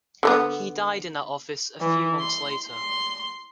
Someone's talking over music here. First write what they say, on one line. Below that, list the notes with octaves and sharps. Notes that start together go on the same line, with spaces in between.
He died in that office a few months later.
D3 A3 B3
E3
C6
C6